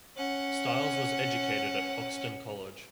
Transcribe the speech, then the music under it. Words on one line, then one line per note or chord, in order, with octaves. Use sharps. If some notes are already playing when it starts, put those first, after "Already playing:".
Styles was educated at Hoxton College.
C#4 F#5